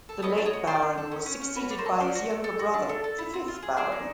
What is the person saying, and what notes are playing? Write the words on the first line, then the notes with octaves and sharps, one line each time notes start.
The late Baron was succeeded by his younger brother, the fifth Baron.
A4
B3 C#5 D#5
D4
C#5 D#5
F#4
F4 C5 D5
D4
A4
C#4
C#4
C#4
F#4 B4 C#5
D4
A#4 C5
A4
C#4 C5 D5
F#4
A4
A4
F#4
D4
A4
A4
E4
C4
F4
G#4
G#4 C5 D5
D#4